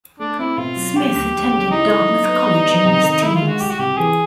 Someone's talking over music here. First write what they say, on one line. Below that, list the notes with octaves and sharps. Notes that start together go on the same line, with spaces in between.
Smith attended Dartmouth College in his teens.
A3 D4
C4 E4
B2 F4
F#3
F#3 G4
D2
D2
C#3
D#4 E4
A4
F#3
B3
G3
B3
C3
D#3
D#3 E4
F4
G#3
F#4
C2 G4
F#4
C3 G4
E3 G#4